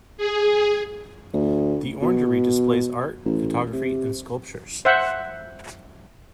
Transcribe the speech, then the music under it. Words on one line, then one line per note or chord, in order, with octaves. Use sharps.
The orangerie displays art, photography and sculptures.
G#4
D2
B2
A1
C3
C5 E5 F#5